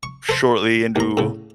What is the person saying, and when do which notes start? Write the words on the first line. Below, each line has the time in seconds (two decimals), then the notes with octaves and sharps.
shortly into
0.03 C#6
0.29 A4 C5
0.96 D#2 A#5
1.17 A2 C#3